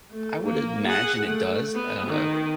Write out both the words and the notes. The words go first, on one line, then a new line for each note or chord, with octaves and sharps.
I would imagine it does, uh,
A3
A#3
G#4 F#5
A3
B3
D#3